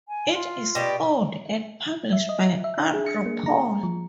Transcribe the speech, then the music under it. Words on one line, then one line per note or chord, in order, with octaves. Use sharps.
It is owned and published by Andrew Paul.
G#5
F4
B2 G4 D5
E5
D#5
E5
D4
G#4
C#7
A#3
A#5
F3